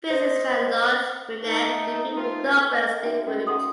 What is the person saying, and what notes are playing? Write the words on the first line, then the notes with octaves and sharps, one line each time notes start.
Businessman Lloyd Winnecke defeated Douglas De Groot.
C5 D#5
A3 D#4
A3 C4 F4
C#5 D#5 F#5 A5 A#5
D#4 F#4 D5 E5 G5
C#4 F#4 A#4 D#5
D5 F#5 G5 A5 C6 D#6